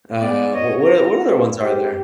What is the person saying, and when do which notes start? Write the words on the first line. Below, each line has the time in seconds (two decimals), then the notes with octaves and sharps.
uh, w what o what other ones are there?
0.19 B3 D5
0.53 C#5 D#5
0.83 A#5
1.19 E4
1.59 G4